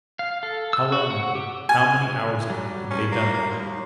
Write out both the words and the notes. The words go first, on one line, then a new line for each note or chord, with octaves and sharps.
How long ago, how many hours ago, had they done that!
F5
A4
E6
F#4
F#5
G4
G#5
F#3 G3
C#4
A#3
D#2